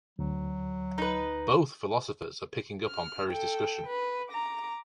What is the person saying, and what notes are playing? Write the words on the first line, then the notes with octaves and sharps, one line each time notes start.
Both philosophers are picking up on Perry's discussion.
D2 F#3
D#4 B4
F6
A4 G5
B4
A#5 D6